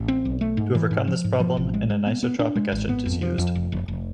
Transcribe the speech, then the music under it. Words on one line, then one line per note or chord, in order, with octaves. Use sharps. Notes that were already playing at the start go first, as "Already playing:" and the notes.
To overcome this problem an anisotropic etchant is used.
Already playing: A1
C4
B1
A3
G#2
E3
G#2
F3
G#2
F3
A1
G#3
G#3
B3
B3
D4
G#3
G#1
B3
F2
F3
F2
F1
F1
F1